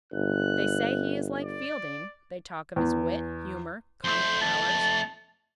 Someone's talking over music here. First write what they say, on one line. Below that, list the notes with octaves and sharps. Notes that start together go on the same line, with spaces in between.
They say he is like Fielding: they talk of his wit, humour, comic powers.
G1 F#6
D5
E2
F2 A3 C5
A5